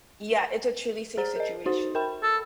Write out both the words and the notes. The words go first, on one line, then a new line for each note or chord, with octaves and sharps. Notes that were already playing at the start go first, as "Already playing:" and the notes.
Yeah. It's a truly safe situation.
G#4 C5 A#5
A#4 D#5
D#4 F#4 C5
A#4 G5 B5
A4